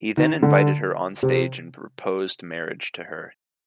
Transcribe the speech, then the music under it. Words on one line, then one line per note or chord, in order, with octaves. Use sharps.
He then invited her onstage and proposed marriage to her.
D#3
D3
C3